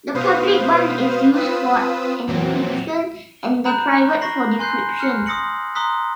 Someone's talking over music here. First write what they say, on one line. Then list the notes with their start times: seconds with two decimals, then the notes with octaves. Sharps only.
The public one is used for encryption, and the private for decryption.
0.15 B2 B4 C5 F5 D#6
1.34 C4 F4 B4 D#6 E6
2.27 F2 A#2 E3 F#3 C4
3.65 A#5 B5 F#6 G6 E7
4.21 C#6 A#6 C7 F#7
4.59 G#5 C6 F#6 G6 C7
5.00 F6 F#6 C#7
5.26 C6 D#6 E6 A#6 C#7 F#7
5.75 A#5 C6 D#6 E6 F#6 B6